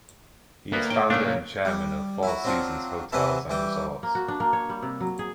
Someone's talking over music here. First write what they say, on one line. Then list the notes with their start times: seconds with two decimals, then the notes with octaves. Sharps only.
He is founder and chairman of Four Seasons Hotels and Resorts.
0.72 D2 A#3 B3
0.90 A2 F4 G5
1.10 A#2 C#3 A3 A#3 D4 A#4
1.65 G3
2.23 E4 F#4
2.44 F#3 C4 D4 F4
3.12 C3 E3 F#3 E4 B4 A5
3.50 E3 G3 G5
4.03 A#3
4.15 F#4
4.28 D4
4.40 A#3
4.53 C#5
4.69 G3
4.82 C3
5.00 F#3
5.19 G#4